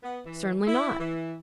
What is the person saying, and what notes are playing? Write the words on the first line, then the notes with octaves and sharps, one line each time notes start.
"Certainly not."
B3
E3
E4
E3